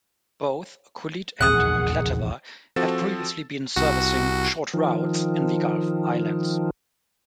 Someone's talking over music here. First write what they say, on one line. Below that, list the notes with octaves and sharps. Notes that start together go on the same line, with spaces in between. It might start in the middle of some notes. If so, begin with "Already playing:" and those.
Both "Kulleet" and "Klatawa" had previously been servicing short routes in the Gulf Islands.
D#1 A#1 E2 D#3 G#4 F#5 D#6 F#6
F3 C4 F#4 A4 E6 A6
C2 F#4
D#3 F3